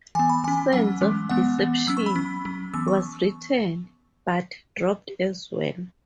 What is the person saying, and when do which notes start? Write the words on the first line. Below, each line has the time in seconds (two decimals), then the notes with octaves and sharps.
"Sands of Deception" was written, but dropped as well.
0.15 E3 B3 G#5
0.29 B5
0.44 E3 C#4 G#5
0.73 F#3 C#4 F#5
1.01 E3 G#3 C#4
1.29 E3 G#3 B3 F#5
1.58 E3 B3
1.87 F#3 C#4 E6
1.97 C#6
2.06 B5
2.16 F#3 C#4
2.45 F#3 C#4
2.74 E3 B3 E6
2.88 C#6